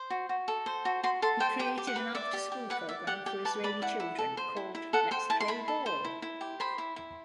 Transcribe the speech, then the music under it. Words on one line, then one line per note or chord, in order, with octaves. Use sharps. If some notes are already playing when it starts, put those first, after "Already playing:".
He created an after-school program for Israeli children, called Let's Play Ball!
Already playing: C5
F#4
F#4
A4
C5
F#4
F#4 C6
A4 C6
C5 G5
G4 G5
G4
F#5
B4
D5 E5
G4
G4
B4 F#5
D5 E5
G4 F#5
G4 G5
B4 A5
D5 B5
E4 F#5
E4
A4
C5
E4
E4
A4 F#5
C5 G5
E4 A5
C6
E4 B5
A4
C5
E4
E4
G4
C5 B5
E4
E4